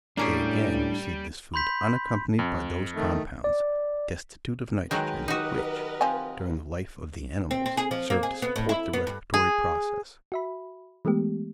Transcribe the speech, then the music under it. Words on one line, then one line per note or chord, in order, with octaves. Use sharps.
They, again, receive this food unaccompanied by those compounds, destitute of nitrogen, which, during the life of the animals, served to support the respiratory process.
A2 G3 A#3 C#4 D4 G#4
B5 C6 G6 B6
F2
D#3 A3
D5
D#3 F#3 G#3 A#4 B4 D#5 G5 A#5
D#4 F#4 G4 F#5 D#6
F3 C4 G#5
C4
C4
G#4
F3
A#3
G#4
B3
A2
E4
B3
G2
G#4
F#4 E5 B5
E3 G#3 A3 B3 G4